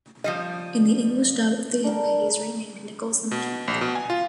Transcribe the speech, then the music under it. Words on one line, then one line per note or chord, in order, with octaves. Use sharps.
In the English dub of the anime, he is renamed Nickels the Mechanic.
F3 G3 D#5
D4 A#4 G5
B2
A#1
B2
G#5
F4